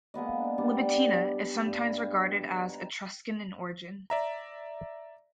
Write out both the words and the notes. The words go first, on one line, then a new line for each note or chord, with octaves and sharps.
Libitina is sometimes regarded as Etruscan in origin.
G#3 A#3 B3 D#5
D4
G3 B3 D4
G2
D#4
D5 E5 A#5